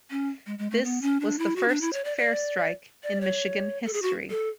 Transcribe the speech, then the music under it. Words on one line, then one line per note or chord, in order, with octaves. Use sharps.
This was the first fare strike in Michigan history.
C#4
G#3
G#3
A3
B3
C#4
D4
E4
F#4
D4
E4
C#5
D5
D5
D5
C#5
A4
G#4
F#4
A4